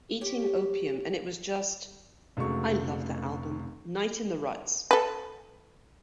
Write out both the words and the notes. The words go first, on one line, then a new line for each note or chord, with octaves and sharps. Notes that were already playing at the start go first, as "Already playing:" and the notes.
Eating opium and it was just...I love that album - "Night in the Ruts".
G4 C#5
F1 C#2 G#3 A3 F#4 C#6
A4 B4